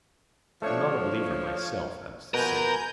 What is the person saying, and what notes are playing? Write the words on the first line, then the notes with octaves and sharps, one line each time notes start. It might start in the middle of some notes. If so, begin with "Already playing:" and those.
I'm not a believer myself, that is to say.
F3 A3 D4 C#5
B2 F3 A#4 B4 G#5 A#5 G6